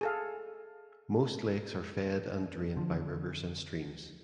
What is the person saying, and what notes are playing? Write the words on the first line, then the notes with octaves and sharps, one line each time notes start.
Most lakes are fed and drained by rivers and streams.
G#4 A4 F5
D3 F3